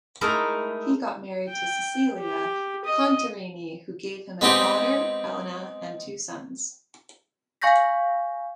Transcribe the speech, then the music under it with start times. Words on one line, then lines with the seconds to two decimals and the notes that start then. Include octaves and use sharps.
He got married to Cecilia Contarini who gave him a daughter, Elena, and two sons.
0.21 G#3 A3 D#4 E4 A4 A#4
1.48 G5
2.18 G4
2.84 D#5
4.41 G#3 B3 C4 D#4 G4 G#4
7.62 F5 G#5 C#6 G6 A#6 B6